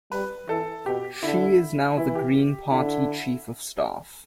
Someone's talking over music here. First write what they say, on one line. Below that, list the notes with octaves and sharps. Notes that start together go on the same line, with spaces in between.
She is now the Green Party Chief of Staff.
G3 B4
E3 A4
B2 G4
D3 E4
E3 E4
G4
D3 E4